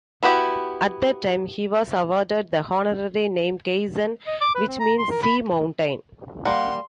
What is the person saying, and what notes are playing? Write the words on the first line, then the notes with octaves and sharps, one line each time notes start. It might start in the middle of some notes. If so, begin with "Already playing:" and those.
At that time he was awarded the honorary name "Kaizan," which means Sea Mountain.
B3 E4 F#4 G4
D#5
D6
B4
C4
A#5
C6
A#4
B5
G3 A#3 F5 F#5 C6